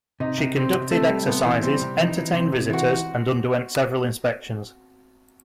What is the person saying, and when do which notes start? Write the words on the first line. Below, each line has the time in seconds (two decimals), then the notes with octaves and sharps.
She conducted exercises, entertained visitors, and underwent several inspections.
0.20 C3 D#4
0.38 C3
0.56 C3 C4
0.74 C3
0.91 C3 A3
1.09 G3
1.27 C3 B3
1.45 E3
1.63 G3 C4
1.81 C3
1.98 E3 D#4
2.16 E3
2.34 C3 C4
2.52 C3
2.70 E3 F#4